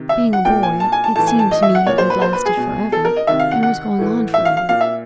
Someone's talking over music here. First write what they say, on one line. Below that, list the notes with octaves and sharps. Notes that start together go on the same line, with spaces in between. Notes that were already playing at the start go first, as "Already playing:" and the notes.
Being a boy, it seemed to me it had lasted for ever, and was going on for ever.
Already playing: C3 D#3
E5
F#5
A#2 G5
G#5
A5
G#5
A5
A2 E3 A5
G#5
A5
D#5
E5
F#5
A#2 C#5
C5
B4
C5
B4
G#4
B2
A4
A#4
D#5
C3 D#3 E5
F5
F#5
F#5
A2 E3
E5
F5
F5
A#2 F5
E5